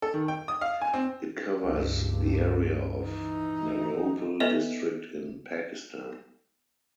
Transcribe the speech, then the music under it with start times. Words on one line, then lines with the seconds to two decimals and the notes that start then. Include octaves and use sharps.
It covers the area of Narowal District in Pakistan.
0.02 A4
0.14 D#3
0.28 G5
0.48 D#6
0.61 F5
0.81 G#5
0.94 C4
1.65 C#2 G2
3.01 E3 D#4
4.40 B3 A4 B4 C#5 D#5 E5